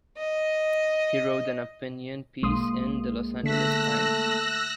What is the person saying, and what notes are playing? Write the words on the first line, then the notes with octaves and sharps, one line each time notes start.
He wrote an opinion piece in the "Los Angeles Times".
D#5
B1 G#3 A#3 C6 D#6
D3 A3 E6 F#6 A#6 B6